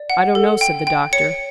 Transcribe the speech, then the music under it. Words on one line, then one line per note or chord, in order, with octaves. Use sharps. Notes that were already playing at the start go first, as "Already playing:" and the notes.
"I don't know," said the doctor.
Already playing: D5
F#5
A4
G5
G5
C#5 C#7